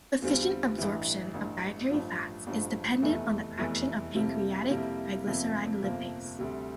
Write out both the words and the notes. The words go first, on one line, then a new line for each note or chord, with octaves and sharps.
Efficient absorption of dietary fats is dependent on the action of pancreatic triglyceride lipase.
E2 D3 G3 C4 F4
A1 G2 E3
A1 G2 E3
A1 G2 F3
A1 G2 F3
F1 E2 E3 A3
F1 E2 E3 A3
F2 C3 G3 A#3 E4
F2 C3 G3 A#3 E4
G1 F2 C3 F3 A#3
G1 F2 C3 F3 A#3
D2 C3 G3